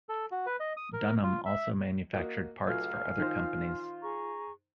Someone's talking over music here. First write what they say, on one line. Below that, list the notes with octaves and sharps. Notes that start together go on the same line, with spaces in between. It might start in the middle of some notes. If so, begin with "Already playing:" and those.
Dunham also manufactured parts for other companies.
A4
F#4
B4
D#5
D#6
A#4
F4
E5
A#3 F#4 D#5
C#2 F#3 A3 F4 F5 G#5 F6
D#3 D#4 F4 C5
G#4 A#5 C#6